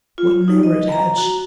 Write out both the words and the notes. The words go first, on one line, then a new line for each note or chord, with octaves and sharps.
What merit had she?
F4
D#4
D#5
A#5
F#4